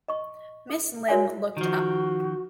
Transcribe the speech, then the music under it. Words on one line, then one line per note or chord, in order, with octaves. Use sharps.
Miss Limb looked up.
D#5 C#6
A4
F#4 A#4 C#5 D5 E5 G#5
D#3 F3 F#4